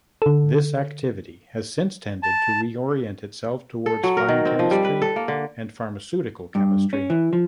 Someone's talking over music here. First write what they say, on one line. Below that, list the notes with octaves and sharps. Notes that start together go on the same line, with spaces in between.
This activity has since tended to reorient itself towards fine chemistry and pharmaceutical chemistry.
D3 A4
A5
A4
F#3
A#4
D#3
C4
F3
G3
B4
A4
A#3
D3
G2
C#4
E3
F3